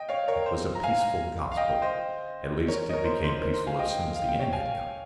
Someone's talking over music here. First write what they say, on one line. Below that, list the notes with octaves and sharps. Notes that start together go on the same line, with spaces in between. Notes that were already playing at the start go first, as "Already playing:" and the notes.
It was a peaceful Gospel; at least, it became peaceful as soon as the end had come.
Already playing: D#5 G5
C#5 F5
A#4 C#5
C5
A#5
F5 G#5
F5
D#5 G5
C5 D#5
A#4 C#5
D#5
A#4 C#5
C5
C5
A#4
C5
F5 G#5
D#5 G5
F5
G5
C#5 F5
F5 G#5